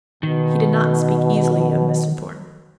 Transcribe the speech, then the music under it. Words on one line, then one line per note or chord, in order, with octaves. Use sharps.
He did not speak easily of Mr. Thornton.
B2 D#3